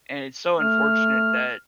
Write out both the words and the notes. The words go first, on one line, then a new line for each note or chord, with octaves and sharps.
and it's so unfortunate that
A3 F6